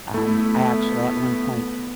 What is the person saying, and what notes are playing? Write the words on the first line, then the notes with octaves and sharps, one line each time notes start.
um, I actually at one point,
A3 B3 E4